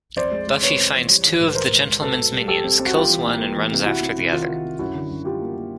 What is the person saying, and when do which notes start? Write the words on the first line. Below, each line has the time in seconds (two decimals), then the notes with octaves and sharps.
Buffy finds two of The Gentlemen's minions, kills one and runs after the other.
0.16 F2 C5 D5
0.31 G#3
0.48 G#3
0.63 C3 B4 C#5
0.79 C3
0.93 E3
1.09 G3
1.25 D#3
1.40 G#2
1.47 B4
1.55 D#3 A#4 C5
1.71 G#2
1.86 G#2
2.01 B2 A4 B4
2.17 B2
2.32 G3
2.48 G3 G4 A4
2.64 C4
2.79 C4
2.86 F#4
2.94 G3 F4 G4
3.09 E3
3.26 A#3
3.41 A#3
3.56 E3
3.72 C3
3.86 C3 E4 F#4
4.02 C3
4.17 C3
4.33 D#3 F4
4.49 D#3
4.65 C3
4.79 F#2 E4 F#4
4.95 D3
5.10 F#2
5.25 G3 F4 G4
5.41 A#3
5.57 A#3